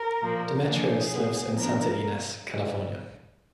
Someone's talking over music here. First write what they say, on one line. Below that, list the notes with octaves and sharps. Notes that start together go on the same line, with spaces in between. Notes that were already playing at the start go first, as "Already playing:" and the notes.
Demetrios lives in Santa Ynez, California.
Already playing: A#4
A#2 F3 A#3
F3 A#3 D4 G#4
A#2 G#3 B3
F3 B3 D4 A#4